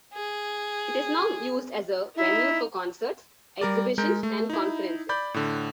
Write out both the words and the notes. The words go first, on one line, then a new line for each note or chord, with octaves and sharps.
It is now used as a venue for concerts, exhibitions and conferences.
G#4
D#4 E4
G3 A#4 D5
G#3 A#4 G6
A3
D#4 E4
D5 B5 G6
A2 D3